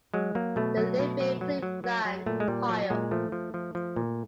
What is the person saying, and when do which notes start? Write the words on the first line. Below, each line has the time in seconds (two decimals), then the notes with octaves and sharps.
They live in Cleveland, Ohio.
0.14 F#3 G#3
0.35 F#3 A#3
0.56 B2 A3
0.77 F#3
0.99 B2
1.20 F#3
1.41 F#3
1.63 F#3
1.84 F#3
2.05 F#3
2.26 A#2 A3
2.40 G#3
2.48 A#2 G3
2.69 F#3
2.90 A#2 G#3
3.11 F3 A3
3.32 F3
3.54 F3
3.75 F3
3.96 A#2